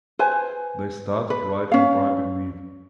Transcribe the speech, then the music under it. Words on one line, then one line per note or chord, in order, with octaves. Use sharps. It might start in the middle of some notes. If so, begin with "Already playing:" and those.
They started right in bribing me!
B4 C5 G#5
B4
C#4 F5